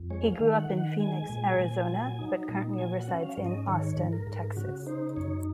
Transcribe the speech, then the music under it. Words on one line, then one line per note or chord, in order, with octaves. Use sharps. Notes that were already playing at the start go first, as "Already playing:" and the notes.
He grew up in Phoenix, Arizona, but currently resides in Austin, Texas.
Already playing: F2
G#3 C#5
F5
D#3
F#5
D#3
F#5
G#3 G#5
A#2
A#2
F#3
D#4
A#2
F#3 G#5
F#5
C#4
F5
G#2
D#5
D#3 C#5
G#2
A#4
G#2
C#3 F#4
D#4 C5
F#2 C#5